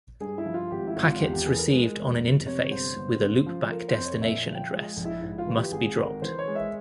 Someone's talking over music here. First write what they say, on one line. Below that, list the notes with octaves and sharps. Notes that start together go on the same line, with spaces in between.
Packets received on an interface with a loopback destination address must be dropped.
G2 G#4
E4
F3
F4
G#1 G4
E4
G#1
F4
E2 G4
G4
E3 G#4
A#4
G#3
E1
F2
C3 C#5
G1 C5
G1
C#3
F3
A#3 A#4
C5
F2
C#5
A#2 E5
F3
G5
G#3 G#4
A#1
E4
G#2 E4
F4
E3
G4
G#1 G#4
G#1 A#4
E3 C5
C#5
G#3
E5